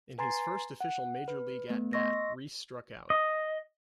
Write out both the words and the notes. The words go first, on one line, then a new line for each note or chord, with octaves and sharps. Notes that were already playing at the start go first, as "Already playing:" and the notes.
In his first official major league at-bat, Reese struck out.
B4 G#5 A#5 C6 A6 C7
F#5
B4
A3 B3
D#5 C6 C#6 E6 A#6
D#5